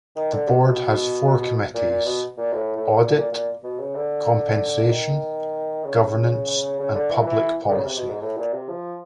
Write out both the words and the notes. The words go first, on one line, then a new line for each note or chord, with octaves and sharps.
The board has four committees: Audit, Compensation, Governance, and Public Policy.
D#3
D3
C3
B2
A#2
A#2
B2
A#2
A2
A2
A#2
A#2
A#2
B2
C#3
D3
D#3
C#3
C#3
D3
E3
E3
D3
C#3
C3
B2
G#2
A2
A#2
C3
F3